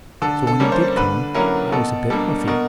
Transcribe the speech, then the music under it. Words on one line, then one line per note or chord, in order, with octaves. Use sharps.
So when he did come, I was a bit huffy.
D3 A4
A4
G3 A#3 C#4
C5
D3 B4
F#3 A#3 C#4 E4 A#4
B2 A4
G3 A#3 D4 A4
B2 A#4